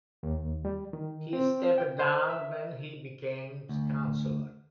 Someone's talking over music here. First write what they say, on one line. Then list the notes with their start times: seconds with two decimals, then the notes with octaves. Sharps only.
He stepped down when he became chancellor.
0.23 D#2
0.65 G3
0.93 D#3
1.33 C4
1.78 G5
1.99 C5
2.30 E5
3.69 D2